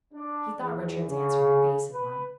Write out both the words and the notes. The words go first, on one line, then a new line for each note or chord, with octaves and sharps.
He thought Richard's answer an evasive one.
D4
E2
C#3
B4